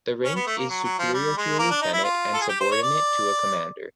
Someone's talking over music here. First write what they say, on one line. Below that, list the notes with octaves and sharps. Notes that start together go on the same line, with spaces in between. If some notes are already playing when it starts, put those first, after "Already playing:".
The rank is superior to a lieutenant and subordinate to a commander.
C#4
B3
A3
A#3
F#3
F#3
F3
G3
G#3
A#3
D4
D#4
E4
F4
A4
G#4
G4
C5
C#5
D5